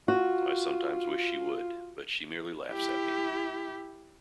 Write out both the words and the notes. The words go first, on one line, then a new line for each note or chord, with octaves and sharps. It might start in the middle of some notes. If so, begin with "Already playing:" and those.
I sometimes wish she would; but she merely laughs at me.
F4 F#4
E4 G4